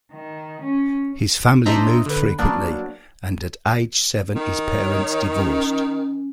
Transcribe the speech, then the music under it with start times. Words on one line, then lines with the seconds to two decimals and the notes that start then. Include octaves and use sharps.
His family moved frequently, and at age seven his parents divorced.
0.11 D#3
0.62 C#4
1.66 D4 C5 D#5 E5 A#5
2.06 D3 B4
2.39 F#3 A#3 B3 D4
4.36 D#3
4.70 C#5
5.32 C#4